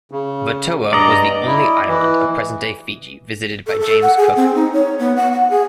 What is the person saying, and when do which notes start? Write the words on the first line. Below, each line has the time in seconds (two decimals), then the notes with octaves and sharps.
Vatoa was the only island of present-day Fiji visited by James Cook.
0.11 C#3
0.93 G2 D5 D#5 A#5
1.47 E4
1.88 E3
3.67 A4
3.80 A4
4.02 F#5
4.17 G#4
4.36 C4
4.55 D#4
4.73 C#5
4.99 B3
5.16 F#5
5.32 F#5
5.50 G#4